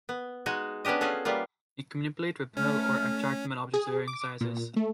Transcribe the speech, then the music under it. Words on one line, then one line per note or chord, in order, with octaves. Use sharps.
He can manipulate, repel or attract metal objects of varying sizes.
B3
G#3 D#4 F#4 G#4
B3 C#4 D4 G4 D#5
C#4 F4 F#4 G#4 A4
G3 A#3 B3 F4
A3 C#4 F6
G#4
D6
A#2
A3